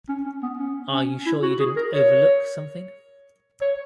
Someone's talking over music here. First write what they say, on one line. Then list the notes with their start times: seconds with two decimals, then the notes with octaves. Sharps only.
Are you sure you didn't overlook something?
0.09 C#4
0.26 C#4
0.43 B3
0.59 C#4
0.93 C#4
1.26 E4
1.43 F#4
1.60 G#4
1.77 A#4
1.94 C#5
3.61 C#5